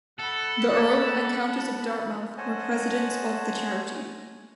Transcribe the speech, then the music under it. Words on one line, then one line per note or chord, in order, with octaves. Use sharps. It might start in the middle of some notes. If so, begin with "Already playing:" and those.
The Earl and Countess of Dartmouth were Presidents of the charity.
A4 F#5 B5
C5 C#5 D#5 F#5 G#5 A5